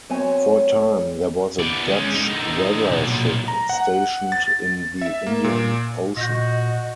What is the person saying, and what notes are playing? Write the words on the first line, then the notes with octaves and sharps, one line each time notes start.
For a time, there was a Dutch weather ship stationed in the Indian Ocean.
F#3 C4 C#5 G#5
B3 D5
G#3 C#4
D3 D#4
B1 A#2
A#5
F#5
A6
E5
A#3
A#2
A#2 F#4 D#5 G6 A#6